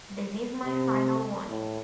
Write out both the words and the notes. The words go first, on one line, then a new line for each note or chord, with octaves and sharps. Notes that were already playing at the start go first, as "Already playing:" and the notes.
This is my final warning!
C3
A2